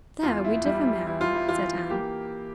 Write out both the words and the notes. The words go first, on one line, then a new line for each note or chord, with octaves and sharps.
"There we differ, Mary," said Anne.
E2 F4
E4
G3 E4
E4
E3 E4
F4
E4
E3 F4
A#3 G4